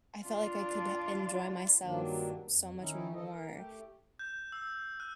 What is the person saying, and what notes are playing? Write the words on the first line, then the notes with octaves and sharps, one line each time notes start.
I felt like I could ha enjoy myself so much more
D4 F4
G2 A#2 D#3 F#3 A#3 D4
F2
D#3 C#4 D#4 E4
E3 A4 D#5
A#4
A3 G4
G6
E6
F#6